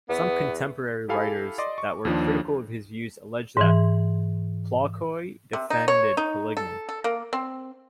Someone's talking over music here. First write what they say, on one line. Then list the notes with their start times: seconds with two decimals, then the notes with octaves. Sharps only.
Some contemporary writers that were critical of his views alleged that Plockhoy defended polygamy.
0.09 E2 B3
1.08 E4 G4 A4 F5 G#5 B5
1.58 D5 D#5 C6 D6
1.78 C#6
2.05 D#2 F3 D4
3.57 G#2 E3
5.53 C3
5.70 D#4
5.88 C#5
6.17 D#4
6.57 A4
6.89 A4
7.04 A#3
7.33 C4